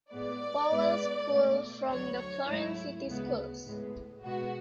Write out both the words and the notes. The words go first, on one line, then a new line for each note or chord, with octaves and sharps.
Powell School from the Florence City Schools.
A2 G#3 B3 D5
G#2 G#3 B3
B2 A3
D2 D3 F#3 C#5
C#5
G#2 F#3 A3 E4
D2 C#3 G#3 B3
A2 G#3 B3
B2 G#3 B3 F#4